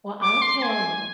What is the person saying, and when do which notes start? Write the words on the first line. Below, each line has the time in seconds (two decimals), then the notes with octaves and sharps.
Well, I'll tell ya.
0.22 D6
0.42 C6
0.62 G#5